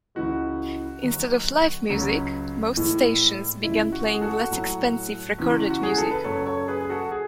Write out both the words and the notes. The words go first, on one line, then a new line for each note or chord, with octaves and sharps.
Instead of live music, most stations began playing less expensive recorded music.
C#2 C#3 E3 G#3 F#4
D#2 D#3 F#3
C#2 C#3 F#3
A2 E3 G#3
C#2 C#3 E3 G#3 E4
F#4
G#4
F#4 A4
A2 F#3
E2 C#3 E3
F#4
G#4
A4
B4
F#2 C#3 F#3 A4 C#5
A4 C#5
G#4 B4
G#4
F#4 A4
G#4